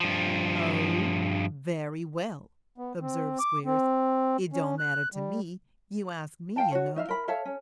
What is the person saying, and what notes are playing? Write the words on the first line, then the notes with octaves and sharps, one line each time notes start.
'Oh! very well!' observed Squeers, 'it don't matter to me; you asked me, you know.
G2 F3
B3
C4
D6
C4
C#4
F#6
G3
F5 G5 A5
F#4 C#5
D#4 E5 F5
A#4 B5
A4 C#5 E5 F5
C#4